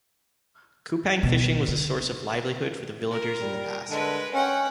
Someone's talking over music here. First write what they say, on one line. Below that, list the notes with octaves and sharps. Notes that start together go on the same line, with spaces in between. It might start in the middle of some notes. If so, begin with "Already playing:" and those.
Kupang fishing was a source of livelihood for the villagers in the past.
B2
D3
A#4
G3
D3 G#3 B4
C#4 F#5 G5